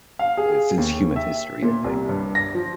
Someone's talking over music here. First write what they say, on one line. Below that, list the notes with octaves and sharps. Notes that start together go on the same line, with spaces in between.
eh, since human history, I think.
F5
G#4
D#2
E5
A#2
C2
G2
A#6
F3